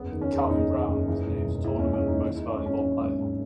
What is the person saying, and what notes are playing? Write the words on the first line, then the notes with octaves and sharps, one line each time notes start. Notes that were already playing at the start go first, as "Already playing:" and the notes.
Calvin Brown was named Tournament Most Valuable Player.
Already playing: F#1 E2 B3
D#3
C#4
E2
F#1 D#4
D#3
F#1
E3
E1
E3
D#2 E4
E1 C#4
C#4
D#2 D#4
D#3 E4
F#2 D#4
C#4
G#1
C#4
F#2 C#4
G#1
G#1